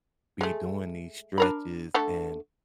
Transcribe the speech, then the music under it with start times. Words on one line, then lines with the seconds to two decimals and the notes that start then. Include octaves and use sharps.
be doing these stretches and
0.41 G#3 A3
1.38 D4 A#4 B5
1.94 D3 A3 A4